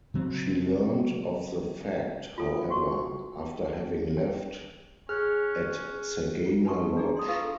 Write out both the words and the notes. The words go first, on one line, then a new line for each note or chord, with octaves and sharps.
She learned of the fact, however, after having left, at Sagana Lodge.
C#3 F#3 C4
F4 A4
F#4 C#6
G5
C#4 G#4 F6 F#6
F4
B4 G#5 A5 C6 C#6
D4 G4 G#4 D5 A#5
C6 D#6
F4 B4 D#5 F5 C#6 E6
A4